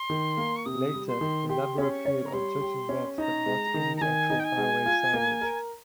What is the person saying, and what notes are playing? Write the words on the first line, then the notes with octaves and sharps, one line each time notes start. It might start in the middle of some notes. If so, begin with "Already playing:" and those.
Later, the number appeared on certain maps but not any actual highway signage.
Already playing: C6
D#3
A#3
C#6
C3 D#6
G3
C6
D#3
G4 C6
C#4 C6
C#6
C#5
A#5
G3 C6
G4
C#4
D#4 A#5
G#3
D#3
A#5
D#3 G#5
D#4
G5
G#5
G#3
F4
A#3
A#4